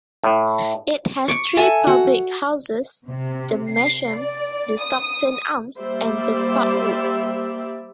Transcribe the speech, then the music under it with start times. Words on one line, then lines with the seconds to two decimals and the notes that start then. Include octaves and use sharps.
It has three public houses "The Masham", "The Stockton Arms" and the "Parkwood".
0.24 A2
1.28 C#6 D6
1.57 A4 E5 G#5
1.87 F#4
3.06 C3
3.70 C7
4.15 D5
4.81 D#6
5.79 G3 A#3 G4 C5 D5 E5